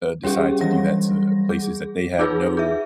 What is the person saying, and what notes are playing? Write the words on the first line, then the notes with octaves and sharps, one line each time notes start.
uh, decide to do that to places that they have no
G3 C#4 G4 G#4
E3 F#3 G3 A#6
G#4
D#4 F4 G#4 B4
G#4 E5